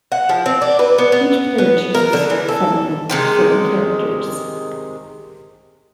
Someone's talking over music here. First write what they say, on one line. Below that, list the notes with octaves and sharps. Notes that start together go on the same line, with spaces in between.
Each player chooses from among four characters.
F#5
F3
C4
D4
B4
B3
B3
B3
A#4
D3
E3
A4
C3 D#3 G#3